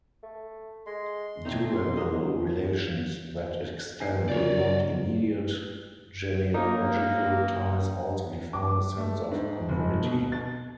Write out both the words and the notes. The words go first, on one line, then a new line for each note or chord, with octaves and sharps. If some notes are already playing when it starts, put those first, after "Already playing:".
Durable relations that extend beyond immediate genealogical ties also define a sense of community.
A3
G#3 C6
B2 A3 C4 D#4
D#2 F#3 D#5
D#4 G#5 C7
C#3 F4 F#4 A#4 C#5 D5
A#3 D#4
D6
A3
G#2
F1
B2
A6